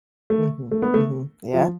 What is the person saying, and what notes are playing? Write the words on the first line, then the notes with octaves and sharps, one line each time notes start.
Mhm, mhm, yeah.
A3
A3
B3
A3
F3